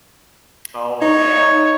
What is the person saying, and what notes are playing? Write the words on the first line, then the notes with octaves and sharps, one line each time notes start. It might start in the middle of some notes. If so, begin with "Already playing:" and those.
Oh, yeah.
D#4 C#5